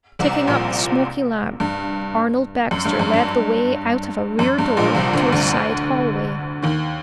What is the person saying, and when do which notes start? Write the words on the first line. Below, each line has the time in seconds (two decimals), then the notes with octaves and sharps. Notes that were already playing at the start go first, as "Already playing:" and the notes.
Taking up the smoky lamp, Arnold Baxter led the way out of a rear door to a side hallway.
0.19 C2 C3
0.47 A#1 A#2
1.60 G2
2.71 F#2
2.85 G2
2.99 F#2
3.14 G2
4.39 F#2
4.59 G2
4.77 A#1 A#2
4.95 C2 C3
5.13 D2 D3
5.32 D2 D3
6.63 D#2 D#3